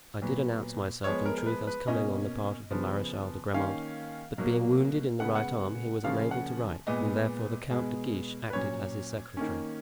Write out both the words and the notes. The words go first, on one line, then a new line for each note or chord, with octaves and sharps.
"I did announce myself, in truth, as coming on the part of the Marechal de Grammont; but being wounded in the right arm he was unable to write and therefore the Count de Guiche acted as his secretary."
A#2 F#3 B3
F3 G#3 B3 C#5
A#4
A#4
B4
B4
B2 A#3 C#4 D#5
C#3 F3 B3
D#3 A#3 C#4 F5
B2 F#3 A#3
C#3 G#3 B3 F#5
F#5
C#3 F3 A#3 C#4 F5
F#5
A#2 G#3 B3 D#5
B2 G#3 B3
B4
A#2 F#3 C#4 C#5
D#3 A#3 C#4